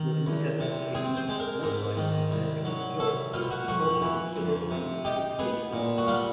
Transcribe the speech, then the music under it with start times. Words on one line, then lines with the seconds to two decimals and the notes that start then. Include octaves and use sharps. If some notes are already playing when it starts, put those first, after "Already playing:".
The Oneida Society, likewise in central New York, was also considered a utopian group.
Already playing: D#3
0.26 E2
0.60 C3
0.94 C4 G#4
1.16 C5
1.29 G#3
1.40 A#4
1.63 G#2
1.97 D#3
2.31 C2
2.65 F#3
2.99 C2 A4
3.33 B2 F4
3.51 F#4
3.68 F2 F#4
4.02 E3
4.36 F2
4.71 C3
5.05 D#4 G4
5.39 B3 G#4
5.73 A#2
5.98 F#4
6.07 G3 F4